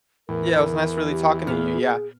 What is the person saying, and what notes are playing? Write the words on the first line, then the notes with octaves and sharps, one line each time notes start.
Yeah, it was nice really talking to you, yeah.
E2 A2 A#4
G4
A#2 B3 G#4 F6